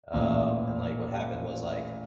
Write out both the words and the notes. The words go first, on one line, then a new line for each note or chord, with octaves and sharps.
um, and, like, what happened was, like,
A1 A#2